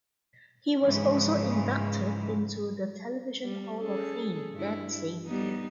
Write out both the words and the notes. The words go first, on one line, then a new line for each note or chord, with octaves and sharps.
He was also inducted into the Television Hall of Fame that same year.
G#2 C#3 E3 F3 G#3
G3
C#4 G#4 A4
G2 E4
G3 B3 D#4